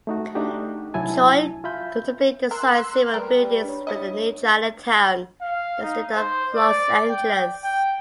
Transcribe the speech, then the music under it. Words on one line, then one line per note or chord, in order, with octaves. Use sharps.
Choy notably designed several buildings within the New Chinatown district of Los Angeles.
A3 D#4 F#4
A3 D4 D#4 F#4 G4
C2 F#3 E4 G#5 A5
F4 E5 B5 G6
A#4 C6 E6 F#6
G3 A#4 B4 G5
D4 C#5
D#4 E4 D#5
F5
D#4
C5
D5
G5
G5